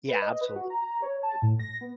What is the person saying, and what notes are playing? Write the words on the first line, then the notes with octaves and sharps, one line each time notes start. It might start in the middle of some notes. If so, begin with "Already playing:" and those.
Yeah, absolutely. I think
B4
D#5
B4
F#4
A#5
A#5
C#5
A5
A2
A#6
B3